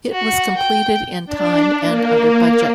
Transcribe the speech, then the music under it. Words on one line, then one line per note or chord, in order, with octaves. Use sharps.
It was completed in time and under budget.
F#4
G5
D4
A#3